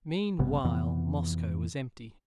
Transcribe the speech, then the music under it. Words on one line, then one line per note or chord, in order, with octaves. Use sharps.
Meanwhile Moscow was empty.
A1 G2 C3 B3
F2 C3 E3 B3